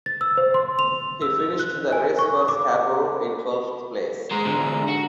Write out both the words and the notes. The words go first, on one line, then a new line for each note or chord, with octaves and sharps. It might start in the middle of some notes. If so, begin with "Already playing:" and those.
He finished the race for Scarborough in twelfth place.
A6
E6
C5
C6
F7
E6
F#6
G#5
C#6
D6
G#3 C5 A#5
G#2 D3
F#4